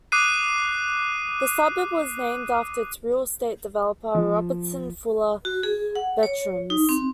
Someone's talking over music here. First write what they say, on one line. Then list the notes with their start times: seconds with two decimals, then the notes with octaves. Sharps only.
The suburb was named after its real estate developer Robertson Fuller Bertrams.
0.12 D6 D#6 F#6 C7 D#7
4.15 F3
5.45 F#4
5.63 G#4
5.96 F#5
6.23 C#5
6.70 D#4
6.89 C4